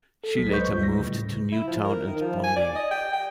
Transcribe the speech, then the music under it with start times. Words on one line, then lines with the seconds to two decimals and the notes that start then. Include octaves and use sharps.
She later moved to Newtown and Bondi.
0.24 A4
0.37 C2 F#3 G#3 B6
0.51 B4 C5 D#5 C#6 G6
0.69 D2 F4
0.82 G3 A#6
0.96 A2 C#3
1.52 E4
1.67 F3
1.84 A#4
2.07 D#3
2.21 F3
2.43 G#5
2.56 D5
2.75 D#5
2.91 G5
3.13 G5